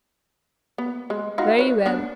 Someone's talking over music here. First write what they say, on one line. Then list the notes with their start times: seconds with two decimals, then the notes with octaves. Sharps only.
'Very well.
0.78 B3
1.10 G#3
1.38 D#4 F4 F#4
1.59 B4 C#5
1.86 B3 D4